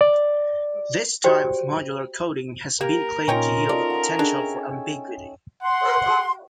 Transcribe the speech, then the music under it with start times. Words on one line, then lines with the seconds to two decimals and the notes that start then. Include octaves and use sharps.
This type of modular coding has been claimed to yield a potential for ambiguity.
0.01 D5
1.24 F#4 G4 C5 D5 G5
2.81 A#3 G4 A#4
3.28 A#2 C#4 D#4 F4 C#5 G5 A#5
3.69 F4 A4 D5 D#5
3.90 F#5
4.19 D4 G#4 E5 G5
5.63 F#5 C6